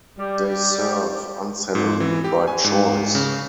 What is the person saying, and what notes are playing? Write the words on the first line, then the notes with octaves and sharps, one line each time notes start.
They serve unsalaried by choice.
G3
G#2
E3
G4
G#5
G#2
C#3